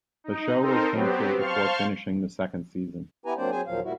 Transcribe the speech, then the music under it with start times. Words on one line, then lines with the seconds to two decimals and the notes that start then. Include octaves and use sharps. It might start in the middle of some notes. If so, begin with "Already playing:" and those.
The show was canceled before finishing the second season.
0.24 D#4
0.59 C4 D#4 A4 A#4 C5
0.93 F#3 B3 C4 G4
1.36 C5 F5 A5 C6 C#6 F6
3.26 B3 E4 G4 B4 G#5 A#5
3.37 F#3 A#3 C4 D4 C5 D5
3.51 F#3 C4 G#4 C5 G#5
3.67 D#2 A#2 F3 F#3 F5
3.84 A#2 G3 E4 F#4